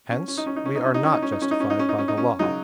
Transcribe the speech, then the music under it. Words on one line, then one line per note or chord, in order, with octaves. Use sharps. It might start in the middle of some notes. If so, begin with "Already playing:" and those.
Hence, we are not justified by the Law.
C#4
C#4
D#4
C#4
D#4
C#4
D#4
C#4
D#4
C#4
D#4
C#4
D#4
C#4
D#4
C#4
D#4
C#4
D#4
C#4
D#4
C#4
C#3 F#3 D#4